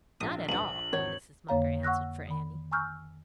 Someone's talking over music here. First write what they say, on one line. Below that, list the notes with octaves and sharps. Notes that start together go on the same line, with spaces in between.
"Not at all!" Mrs. Munger answered for Annie.
A#1 D#6
C#2 G2 F#7
G#1 E2 C#5
F2 D3 A#3 C#5 F5 A#5
F#5 C#6 E6 F#6 A#6
D#3 B5
G#5 A#5 C#6 E6 F6 G6